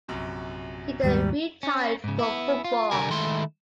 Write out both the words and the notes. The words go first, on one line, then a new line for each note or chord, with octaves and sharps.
He then retired from football.
A#1 F#2 C3
D#2 G#2 G3
C#4
G#2 C#3
B3 E4
F4
C2 D3 G3 A#4 G#5
D#3 G#3 A3 E4 A4 C6